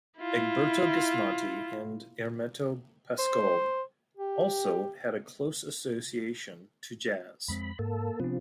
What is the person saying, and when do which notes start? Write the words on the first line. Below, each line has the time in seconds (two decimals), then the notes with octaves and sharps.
Egberto Gismonti and Hermeto Pascoal also had a close association to jazz.
0.19 E4 F4
3.19 C5
4.17 G4
7.48 F2 G#3 C4 B5
7.79 G#2 A#3 A4
8.20 C3 F3 B3 D4